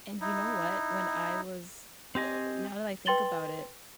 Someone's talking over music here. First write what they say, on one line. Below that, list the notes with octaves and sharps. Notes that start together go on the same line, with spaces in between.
and you know what? When I was uh uh uh, now that I think about it,
D#4 E4
C4 G4 D#5 G#5
B4 G5 C6 A6 F#7 G7